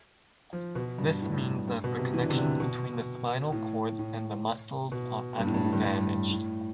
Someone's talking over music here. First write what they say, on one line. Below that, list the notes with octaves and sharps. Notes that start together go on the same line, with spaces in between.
This means that the connections between the spinal cord and the muscles are undamaged.
F3
B2
G2
A2
G2
B2
C3
E3
D3
C3
D3
B2
A2
A2
B2
G2
A2
G2
A2
G2
G2
A2